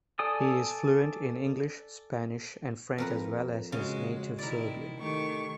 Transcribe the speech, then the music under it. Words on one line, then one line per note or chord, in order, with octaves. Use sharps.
He is fluent in English, Spanish and French as well as his native Serbian.
A4 D5 G#5 D#6
F2 A#4 B4
C#3 G#3 F#4
C3 D#3 E4 A#4 D5
D#3 A3 G4 C#6